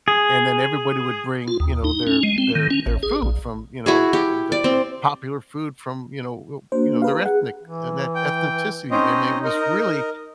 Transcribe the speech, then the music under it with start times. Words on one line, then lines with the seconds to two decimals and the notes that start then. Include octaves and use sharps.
and then everybody would bring, you know, their their their food from, you know, the the the popular food from, you know, uh, you know, their ethnic etn ethnicity, and it was really
0.08 G#4
1.48 F4
1.60 D#2
1.84 D#4
2.07 C#4
2.23 G#3
2.38 C4
2.55 D#3
2.70 C#4
2.86 A1
3.03 G#4
3.22 A#1
3.86 E4 F#4 G#4
4.13 G4
4.52 D5
4.64 C4
6.72 A#3 D4 F#4 C5
7.02 G4 B4 F5 A#5
7.26 G#4 F#5
7.63 E3
8.15 G5
8.91 C4 C#4 D#4 D#5
9.45 A#4 D#5